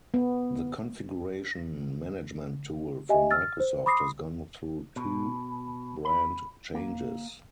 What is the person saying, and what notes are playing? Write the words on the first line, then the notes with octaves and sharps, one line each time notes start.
The Configuration Management tool from Microsoft has gone through two brand changes.
B3
G4 D#5 E5 G#5
E6 F6 A6
C5
B5 C6 D6 D#6 A#6 C7
B2
B5
A#3